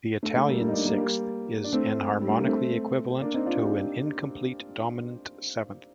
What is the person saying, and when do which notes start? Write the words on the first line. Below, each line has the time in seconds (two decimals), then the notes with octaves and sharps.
The Italian sixth is enharmonically equivalent to an incomplete dominant seventh.
0.23 A3
0.36 A3
0.48 G3 A#3
0.60 G3 A#3
0.68 D#4
0.73 A#3 D4
0.85 G3 A#3
0.97 G3 A#3
1.64 D4
1.73 A3 C4
2.21 G3
2.30 A3
2.39 A#3
2.47 A3 C4
3.21 A#3 D4
3.34 C4 D#4
3.46 D4 F4
3.59 D#4 G4